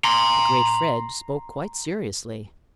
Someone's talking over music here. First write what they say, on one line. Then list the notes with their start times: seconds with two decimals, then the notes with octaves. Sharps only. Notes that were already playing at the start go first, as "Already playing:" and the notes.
The great Fred spoke quite seriously.
0.05 A#5 C6